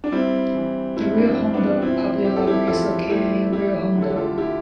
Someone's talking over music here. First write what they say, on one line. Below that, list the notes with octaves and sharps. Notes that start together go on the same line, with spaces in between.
The Rio Hondo Public Library is located in Rio Hondo.
D4
G3 C4 E4
E3
G2 C4 E4
D4
C4
G2
B3 D4
F3 C4 E4
C3 G4
A4
E4 G4
F2 F4 A4
A3 E4 G4
A3 E4 G4
D3
A4
G4
F4 A4
E4 G4